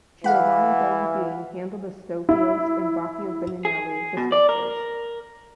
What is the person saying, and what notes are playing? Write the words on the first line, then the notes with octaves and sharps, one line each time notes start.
Giovanni da Udine handled the stuccoes and Baccio Bandinelli the sculptures.
E3 F5 F#5 B5
E4
G#4
B2
D5
A#4